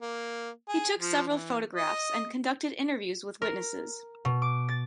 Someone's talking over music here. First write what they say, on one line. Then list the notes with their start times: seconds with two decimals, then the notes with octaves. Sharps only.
He took several photographs and conducted interviews with witnesses.
0.01 A#3
0.69 G#4
1.00 F3
1.28 E3
1.75 D#5
3.42 A#4
4.25 B2
4.42 D6
4.68 A6